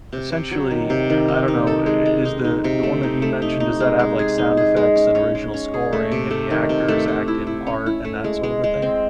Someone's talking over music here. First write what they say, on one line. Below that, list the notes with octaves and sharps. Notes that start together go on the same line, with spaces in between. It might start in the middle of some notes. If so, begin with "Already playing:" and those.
essentially, uh, I don't know, i is the the one that you mentioned, does that have like sound effects and original scoring and the actors act in part and that sort of a thing?
C3
C3
F#3
D#3
C3
D#3
D#4
D#4
A4
G#3
G#3
D#4
D#4
C3
A3
D#4
A3
D#4
D#4
G#3
G#3
G#4
D#4
G#4
G#3
C#4
C#4
G#3
C#4
G#4
A3
C3
A3
D#3
C3
A3
A3
E4
E4
C#4
E4
A3
G#3
G#3
G#3
C4